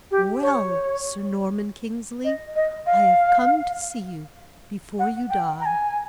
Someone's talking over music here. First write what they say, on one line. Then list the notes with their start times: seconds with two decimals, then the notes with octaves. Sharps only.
"Well, Sir Norman Kingsley, I have come to see you before you die."
0.11 G4
0.42 C#5
2.24 D#5
2.56 D#5
2.86 F5
4.99 F#5
5.30 G5
5.61 A#5
5.66 G#5